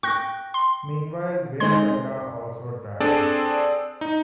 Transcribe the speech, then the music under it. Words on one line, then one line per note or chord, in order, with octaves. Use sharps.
Meanwhile Win Chadha also died.
G5 C#6 F#6 A#6
C6
G#3 C4 D#4 C6 G#6
C4 D4 G#4 A4 D5
D#4